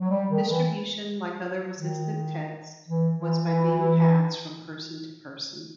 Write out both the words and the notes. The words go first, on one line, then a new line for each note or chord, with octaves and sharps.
Distribution, like other Resistance texts, was by being passed from person to person.
F#3
G3
D#3
E3
D#3
E3
E3
E3